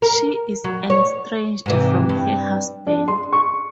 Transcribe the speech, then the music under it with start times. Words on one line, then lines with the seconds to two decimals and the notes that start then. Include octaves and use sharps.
She is estranged from her husband.
0.02 A#4
0.64 F#3
0.90 C#5
1.66 G#2 C3 E3
2.09 G2
2.87 D4
3.08 C6
3.33 C#6